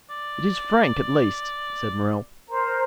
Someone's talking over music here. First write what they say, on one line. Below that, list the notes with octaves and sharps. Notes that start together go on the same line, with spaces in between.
"It is frank, at least," said Morrel.
D5
A#4 C5 A#5